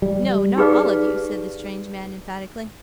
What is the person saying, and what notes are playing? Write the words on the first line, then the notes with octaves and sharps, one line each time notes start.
'No, not all of you,' said the strange man emphatically.
G3
D#4 G4 G#4 B4 D5 F5